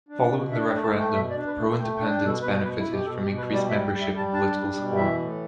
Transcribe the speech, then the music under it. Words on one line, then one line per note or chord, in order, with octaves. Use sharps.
Following the referendum, the pro-independence benefitted from increased membership and political support.
D4
B2
D4 E5
G5
A3
A5
A3
G5
B2 E5
D5
D4
B4
A3
A3 G5
G5
D4
G5
B2
A4
B2 B4
B2 B4
E4
B2
G4
B2 A4
G4
B2
B4
G3 D5
G3 E5
G5
G3
E5
G3 A5
D4 A5
G3
B2
E3 E5
A2